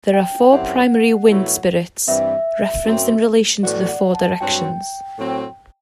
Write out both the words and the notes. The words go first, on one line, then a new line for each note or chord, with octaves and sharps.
There are four primary wind spirits, referenced in relation to the four directions.
G5
F#2 F#3 C4 E4 G4 F#5
B2 F#3 A3 E4
G2 E3 G3 C4 E5
F#2 F#3 C4
A2 E3 B3 F#4 D5
F#5
A5
G2 F#3 C4 F#4 G5
A2 F#3 C4